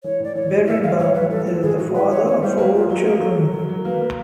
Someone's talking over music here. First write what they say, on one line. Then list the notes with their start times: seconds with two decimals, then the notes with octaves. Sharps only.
Berenbaum is the father of four children.
0.04 E3 C#5
0.20 A2 D5
0.35 E3 C#5
0.51 A2
0.67 E3 E5
0.83 G3 F5
0.99 A2 C#5
1.14 E3 B4
1.30 G3 A4
1.46 G3 A4
1.62 A2 G#4
1.78 E3 F#4
1.94 E3 B4
2.10 E3 C#5
2.26 B3 C#5
2.42 G3 C5
2.58 A#3 B4
2.73 A#3 F4
2.90 F#3 F#4
3.06 A#3 G#4
3.21 F#3 A4
3.37 F#3
3.53 F#3 A#4
3.69 F#3
3.85 A#3 B4
4.01 A#3